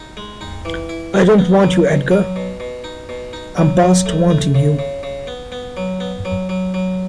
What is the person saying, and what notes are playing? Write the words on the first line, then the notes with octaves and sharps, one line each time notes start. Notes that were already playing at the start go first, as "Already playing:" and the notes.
I don’t want you, Edgar: I’m past wanting you.
Already playing: D#4
G#3
D#4
E3
E4
B3
B3
F#3
B2
F#3
B2
B2
D#4
B2
D#4
F#3
F#3
A3
A3
C#3
C#3
C#3
B3
B3
F#3
B3
F#3
F#3
F#3